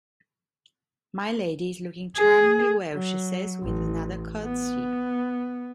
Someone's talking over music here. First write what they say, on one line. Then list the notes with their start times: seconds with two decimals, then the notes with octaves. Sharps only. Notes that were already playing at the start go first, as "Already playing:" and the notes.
"My Lady is looking charmingly well," she says with another curtsy.
2.17 G#4
2.93 F#3
3.62 A1
4.44 B3